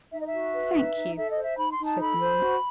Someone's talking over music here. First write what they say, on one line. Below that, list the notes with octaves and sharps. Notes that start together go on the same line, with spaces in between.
"Thank you," said the monarch.
D#4 E5
D#5
E5
F#4
B4
D#4
D#4
A4 E5
D#5
C5
E5
D#4 B5
C6
D#4
A5
A4 B5
C5
F#4